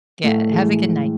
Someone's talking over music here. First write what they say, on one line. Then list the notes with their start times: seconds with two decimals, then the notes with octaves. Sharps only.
Yeah, have a good night.
0.23 A2 A3
0.52 E3 G#3